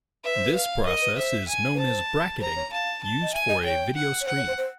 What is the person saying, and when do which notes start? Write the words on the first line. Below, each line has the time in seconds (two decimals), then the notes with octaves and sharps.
This process is known as bracketing used for a video stream.
0.24 B4 E5
0.36 C5
0.46 B4
0.55 F5
0.86 A#4 D#5
1.02 B4
1.17 C5 E5
1.48 G#5
1.75 B4
1.79 C5 A5
2.41 C5 A#5
2.56 C#5
2.72 F5 A5
3.02 A5
3.22 D#5
3.33 E5 G#5
3.49 D#5
3.64 C#5 G5
3.95 F#5
4.21 C#5
4.26 C5 F#5
4.37 C#5
4.47 C5
4.58 C5